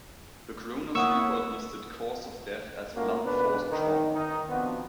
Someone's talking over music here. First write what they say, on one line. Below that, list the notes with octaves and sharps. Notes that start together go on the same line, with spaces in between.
The coroner's report listed cause of death as blunt force trauma.
A#3 E4 C#5 F#5 C#6 D#6 E6
A3 A#3 C#4 F4 F#4 A#4
G#1 B2 D4 B4
D#3
D#3 D#4
F3 B3 C4 D4 F#4